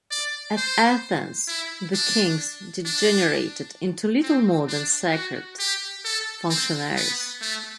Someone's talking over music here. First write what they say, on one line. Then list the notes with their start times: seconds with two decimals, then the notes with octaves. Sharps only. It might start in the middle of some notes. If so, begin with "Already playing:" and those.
At Athens the kings degenerated into little more than sacred functionaries.
0.11 D5
0.57 C5
1.48 E4
1.94 D4
2.86 D4
4.22 C4
4.68 D4
5.13 F#4
5.59 G4
6.05 A4
6.51 C4
6.97 B3
7.42 A3